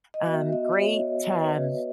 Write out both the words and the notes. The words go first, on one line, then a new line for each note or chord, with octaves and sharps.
Um, great, um,
D#5
B3 F#4 E5
D#5
D#5
C#5
B4